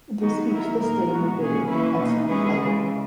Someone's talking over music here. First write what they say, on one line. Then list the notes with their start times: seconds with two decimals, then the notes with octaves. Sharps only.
This keeps the Stayman bidding at second level.
0.20 D#3 F#3 B3 D#4 F#4
0.49 D#3 F#3 B3 E4 A#4
0.79 A#2 A#3 D#4 A#4
1.08 G#3 B3 F#4
1.38 B2 F#3 A#3 C#4 G#4
1.67 E3 A#3 C#4 E4 B4
1.98 B2 A#3 D#4
2.27 E3 G#3 C#4 G#4 B4
2.57 C#3 E3 G#3